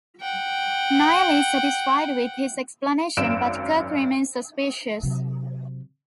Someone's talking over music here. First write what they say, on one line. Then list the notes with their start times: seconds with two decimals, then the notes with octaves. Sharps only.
Noel is satisfied with his explanation, but Kirk remains suspicious.
0.21 F#5 G5
3.17 G#1 F#2 D7 E7
5.03 C3 F#3